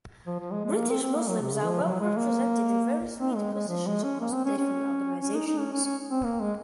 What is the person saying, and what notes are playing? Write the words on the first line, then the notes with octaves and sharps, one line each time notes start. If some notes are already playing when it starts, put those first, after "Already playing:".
British Muslims are well represented in various media positions across different organisations.
F3
F3
G#3
G#3
A#3
C4
C4
A#3
F#3
C3
C#3
F3
F#3
G#3
A#3
C4
G#3
G#3
F3
G#3
C#4
A#3
C4
C#4
C#4
C#4
D#4
D#4
C#4
C#4
C#4
C4
A#3
G#3